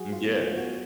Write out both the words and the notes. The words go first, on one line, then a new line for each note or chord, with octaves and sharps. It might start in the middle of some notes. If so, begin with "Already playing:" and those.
Mm yeah.
Already playing: F#3 F#4 G#4
F4
B3
F4
B3
F#4